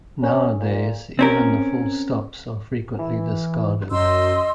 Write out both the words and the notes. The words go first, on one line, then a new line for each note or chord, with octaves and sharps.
Nowadays, even the full stops are frequently discarded.
C#4
A#2
C4 C#4 A#4
E3
F#2 D#5 C6 E6